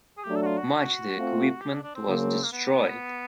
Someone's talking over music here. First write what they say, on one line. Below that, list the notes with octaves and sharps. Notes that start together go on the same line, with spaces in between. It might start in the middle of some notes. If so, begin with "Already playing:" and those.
Much the equipment was destroyed.
G#4
F#3 A3 D4 G4
A4
F#4
F4
F#4
A3 C4 F4
G4
D4
D4
C4
C#3 F#3 A#3
A#3
B3